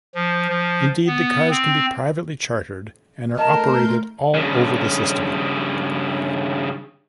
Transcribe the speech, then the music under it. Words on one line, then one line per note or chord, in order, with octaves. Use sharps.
Indeed, the cars can be privately chartered and are operated all over the system.
F3
F3
B3
C4
A3 A#4 D#5 A5 C6 G6
G2 C#3